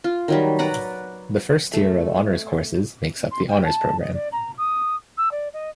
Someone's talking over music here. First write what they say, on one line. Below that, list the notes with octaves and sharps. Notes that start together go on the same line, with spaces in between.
The first tier of Honors courses makes up the Honors Program.
F4
D#3 F#3 G3
B4 D5 F#5 A#5
A3
C6
G5
A5
D#5
D5
A#5
D#6
E6
D5
D#5